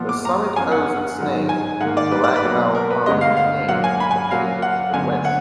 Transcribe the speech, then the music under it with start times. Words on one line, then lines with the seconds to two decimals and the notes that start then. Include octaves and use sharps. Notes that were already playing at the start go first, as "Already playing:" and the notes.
The summit owes its name to Lac Belle Fontaine located to the west.
Already playing: A#2 F3 B3
0.09 D6
0.25 A#5
0.56 F#2 F3 B3 G#5
0.72 F#5
1.18 G#2 D#3 F#3 B3
1.49 G#5
1.80 G#2 F#5
1.83 D#3 A#3
1.97 D5
2.12 B4
2.24 D5
2.36 B4
2.44 B2 F#3 A#3
2.75 A#4
2.90 B4
3.06 D2 D3 G#3 B3 D#5
3.21 F5
3.37 F5
3.68 A#2 F#3 A#3 F#5
3.84 G#5
4.00 B5
4.11 G#5
4.30 A#2 F#3 A#3 F5
4.62 F#5
4.93 D2 D3 F#3 B3 G#5
5.25 F#5